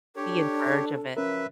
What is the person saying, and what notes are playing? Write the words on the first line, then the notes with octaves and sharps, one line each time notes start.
be in charge of it.
D4 G4 A4 C#5
F#2 C#3 F3 C#4 A#4 B4 E5